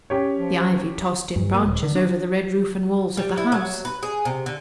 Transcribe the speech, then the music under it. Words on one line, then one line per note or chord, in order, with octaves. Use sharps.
The ivy tossed in branches over the red roof and walls of the house.
C#4 G4 C#5
F3
G2
A#3
D#1
D3
D4
G3
E4
F#3
B4
G#4
C3
D3